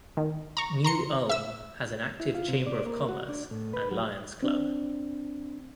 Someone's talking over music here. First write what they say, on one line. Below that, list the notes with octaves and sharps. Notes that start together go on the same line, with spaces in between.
New Ulm has an active Chamber of Commerce and Lions Club.
D#3
A#5 C#6
A#5 C6 C#7
E5 E6
E4
F4
C3
D5
A#3
F#4
D4
A2
B4
F#3
C4 D4